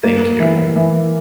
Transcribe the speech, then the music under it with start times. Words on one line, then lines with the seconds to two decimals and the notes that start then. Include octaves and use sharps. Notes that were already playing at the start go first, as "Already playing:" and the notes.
Thank you.
0.04 A#3
0.40 E3
0.76 E3